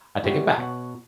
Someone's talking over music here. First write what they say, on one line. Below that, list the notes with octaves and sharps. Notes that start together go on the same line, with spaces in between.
I take it back."
G3 B3 C#4 E4 F#4 G4
B2 C#5 F#5